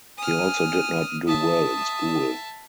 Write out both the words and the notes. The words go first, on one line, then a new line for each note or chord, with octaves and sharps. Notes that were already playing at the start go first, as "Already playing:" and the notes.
He also did not do well in school.
G#5 D#6 F6
E5 A5 D#6